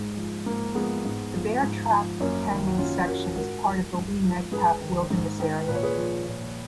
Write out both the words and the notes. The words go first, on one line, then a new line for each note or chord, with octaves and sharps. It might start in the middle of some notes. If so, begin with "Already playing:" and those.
The Bear Trap Canyon section is part of the Lee Metcalf Wilderness area.
Already playing: G#2 G#3
F3
G#2 A#3
F3 G#3 B3
G#2
F3
G#2
F3
F#2 A#3 C#4
D#3
F#4
F#2 C#4 F4
D#3 F#4 A#4
G#2 F#4 A#4
F3
G#2
F3
G#2 G#4 B4
D#3
G#2
D#3
A#2 B4
C#5
G#4 B4
F3
A#2